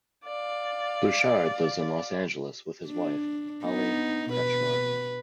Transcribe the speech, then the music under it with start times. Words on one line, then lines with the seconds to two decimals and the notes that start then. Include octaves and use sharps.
Bouchard lives in Los Angeles with his wife, Holly Kretschmar.
0.25 D5 F5
2.88 D4
3.65 B3 D#4
4.30 B2 B4